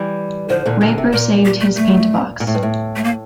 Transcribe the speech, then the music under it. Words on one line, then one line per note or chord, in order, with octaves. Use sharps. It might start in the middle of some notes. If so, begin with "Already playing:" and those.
Raper saved his paint box.
Already playing: E3 G3
D3 F3 C5
A#2 D3
A#2 D3
C3
A#2 A#4
G4
A3
A3
A#2
A2
G2
A2
A3
A#3